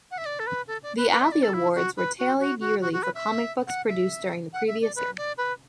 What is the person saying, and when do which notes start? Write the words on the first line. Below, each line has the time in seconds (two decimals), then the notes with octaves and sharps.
The Alley Awards were tallied yearly for comic books produced during the previous year.
0.11 F#5
0.18 E5
0.25 D5
0.39 A4
0.47 B4
0.67 A4
0.83 D5
0.97 B4
1.10 B4
1.21 E5
1.32 D5
1.42 A4
1.53 E4
1.75 F#4
1.97 B4
2.18 F#4
2.39 F#4
2.60 F#4
2.81 F#4
2.93 F#4
3.03 B4
3.14 E5
3.67 F#5
3.88 E5
4.53 F#5
4.68 E5
4.82 D5
4.96 B4
5.17 D5
5.38 B4